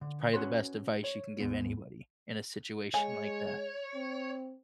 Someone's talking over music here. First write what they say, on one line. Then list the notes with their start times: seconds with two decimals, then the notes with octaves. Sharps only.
probably the best advice you can give anybody in a situation like that.
0.01 D3
0.33 C#4 F#4 B4 C#5 C6
1.04 C#5
1.40 D#2 G#2 B3
2.94 G#3 C#5 G#5
3.94 C4